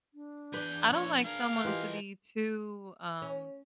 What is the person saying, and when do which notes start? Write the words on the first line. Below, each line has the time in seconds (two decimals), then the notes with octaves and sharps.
I don't like someone to be too, um
0.14 D4
0.54 E2 G#4 B4 D5 G6
0.92 F3 A#3 C#5
1.26 G#4 A#4 F5
1.64 E3 F4 G4 D#5
3.22 C#4